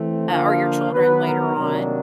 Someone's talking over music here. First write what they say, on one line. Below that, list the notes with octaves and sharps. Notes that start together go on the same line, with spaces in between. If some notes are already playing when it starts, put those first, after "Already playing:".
uh, or your children later on.
Already playing: E3 A3 C4
D3 F3 A#3 D4 F4 F5
D#3 F#3 B3 B4
A#4
C3 D#3 F#3 A#3 D4